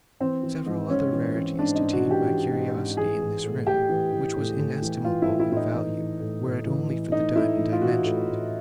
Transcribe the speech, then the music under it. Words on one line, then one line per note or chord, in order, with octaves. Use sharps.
Several other rarities detained my curiosity in this room, which was inestimable in value, were it only for the diamond I mentioned.
E3 C4
E3
G#2
G#2 C#4
E3
E3
G#2 D4
D#4
G#2
F#4
E3
G4
E3
G#2
G#2
E3 G#4
E3
A2
A2 G4
E3
E3
A2
A2
E3
E3 F4
E4
A2
E4
A2 E4
D#4
E3
E3
A2
A2
E3
E3
A2 D#4
A2 E4
E3
F4
E3 F#4
A2
A2